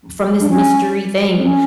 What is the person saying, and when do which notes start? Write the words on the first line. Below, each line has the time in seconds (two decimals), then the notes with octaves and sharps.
from this mystery thing."
0.40 D4
0.49 C#4
1.41 C#4